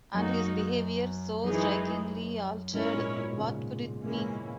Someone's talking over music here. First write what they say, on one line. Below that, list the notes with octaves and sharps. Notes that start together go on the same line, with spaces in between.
And his behaviour, so strikingly altered — what could it mean?
F#2 A#3 D#4 F#4
F#2 E3 G#3 D#4 G#4
G#2 C#4 E4 A#4 C#5
A#2
B2
C#3
E3 A#3 C#4 E4